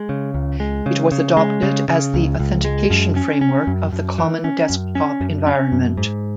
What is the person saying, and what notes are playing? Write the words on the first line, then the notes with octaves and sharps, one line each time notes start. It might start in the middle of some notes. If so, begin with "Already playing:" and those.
It was adopted as the authentication framework of the Common Desktop Environment.
Already playing: G#3
C#3
C#2
G#3
C#3
C#3
G#3
C#3
C#3
C#2
C#2
G#3
F#2
C#4
C#4
F#2
F#2
E3
C#4
F#2
C#4
F#2
C#4
F#2
G#2